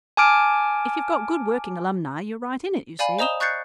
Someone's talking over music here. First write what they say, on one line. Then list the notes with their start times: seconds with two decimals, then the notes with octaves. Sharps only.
If you've got good working alumni, you're right in it, you see.
0.17 G#5 A5 D6 F6 D7
2.99 D5 F5 G#5 B5
3.19 C5 D#5 A#5 D#6 E7 G7
3.40 C#6 F#6 G6 A6 C7 C#7